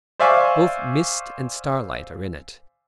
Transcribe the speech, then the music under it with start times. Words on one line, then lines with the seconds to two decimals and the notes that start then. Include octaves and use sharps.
Both mist and starlight are in it.
0.20 C5 D5 E5 F5 G#5 C#6